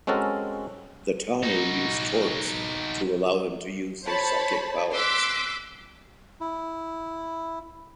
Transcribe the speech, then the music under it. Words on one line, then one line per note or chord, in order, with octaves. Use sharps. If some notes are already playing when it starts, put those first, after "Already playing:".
The Tanu use torcs to allow them to use their psychic powers.
G#3 C4 C#4 F#4 A4 A#4
D#4 F#4
C5 C#5 A5 B5
C6 D6 E6 F#6 B6 D7
E4